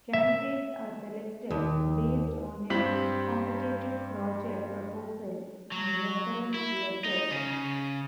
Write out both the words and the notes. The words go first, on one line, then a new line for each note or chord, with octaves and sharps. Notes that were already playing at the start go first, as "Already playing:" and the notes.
Candidates are selected based on a competitive project proposal and reference letters.
E5
D#2
G2 C4 G4 B6 F#7
F#3
E4
D#4
C#3